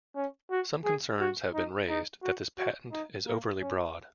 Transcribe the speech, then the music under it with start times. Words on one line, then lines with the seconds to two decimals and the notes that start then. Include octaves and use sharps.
Some concerns have been raised that this patent is overly broad.
0.16 C#4
0.50 F#4
0.85 G#4
1.20 F#4
1.54 D#4
1.89 D#4
2.23 F#4
2.58 F#4
2.92 D#4
3.27 A#3
3.61 C#4